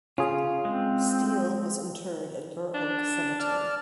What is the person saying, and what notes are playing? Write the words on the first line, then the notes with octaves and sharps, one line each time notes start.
Steele was interred at Burr Oak Cemetery.
C#3 C#4 F4 G#4
G#3 C4
D4
D5 A5 F6